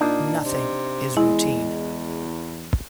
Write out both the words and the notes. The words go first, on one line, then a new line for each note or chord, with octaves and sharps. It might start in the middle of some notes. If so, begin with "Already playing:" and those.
Nothing is routine.
A#2 D4 D#4
C3
E2 G#3 E4